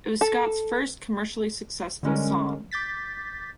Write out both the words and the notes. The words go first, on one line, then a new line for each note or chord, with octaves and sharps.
It was Scott's first commercially successful song.
A4
D3 G3 G#3 C#4 A#4
D6 G6 A6 B6